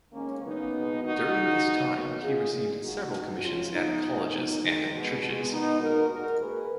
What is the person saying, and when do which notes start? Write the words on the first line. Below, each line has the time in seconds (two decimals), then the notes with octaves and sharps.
During this time he received several commissions at Colleges and churches.
0.13 D#3 G#3 A#3 C#4
0.42 C#3 F#3 A#3 B3 D#4
0.72 B2 G#3
1.02 D#3 A#3 D#4 F#4
1.32 C#3 G#3
1.62 B2 F#3 A#3
1.92 B2 F#3 A#3
2.21 C#3 G#3 F4 G#4
2.52 A#2 G#3
2.81 C#3 F#3 A#3 D#4 F#4
3.11 B2 G#3
3.41 A#2 G#3 C#4 F4
3.71 C#3 F3 G#3 B3 D#4
4.01 B2 F#3 A#3
4.31 A#2 F#3 A#3
4.60 D#3 G#3
4.90 B2 G#3
5.20 B2 G#3
5.50 D#3 G#3 B3 D#4
5.80 B2 A#3 F#4 A#4
6.09 A#2 G#3 F#4 A#4
6.39 D#3 A#3 G#4 B4